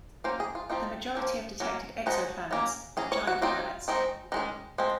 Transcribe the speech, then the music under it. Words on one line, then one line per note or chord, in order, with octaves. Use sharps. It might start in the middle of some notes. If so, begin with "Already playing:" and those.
The majority of detected exoplanets are giant planets.
F#3 A#3 C#4 C5
G#4
F4
F3 C4 D#4 F4
F3 A#3 C#4
F#3 A#3 C#4
F3 G#3 D#4 F#4
F#3 A#3 C#4
F#3 C#4 G#4
C#5
F#4
D#3 F#3 C4 D#4 F4
D#3 G#3 C4 D#4
D#3 G#3 C#4
F3 G#3 C4